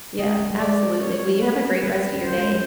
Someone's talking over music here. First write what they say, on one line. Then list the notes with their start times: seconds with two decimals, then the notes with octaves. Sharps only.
Yeah, absolutely, well, you have a great rest of your day.
0.19 G#3 D#5
0.40 G#3
0.50 G3
0.60 G#3 D5
1.02 C#5
1.42 A3 B4
1.83 G3 B4
2.25 F#3 C5
2.38 G#3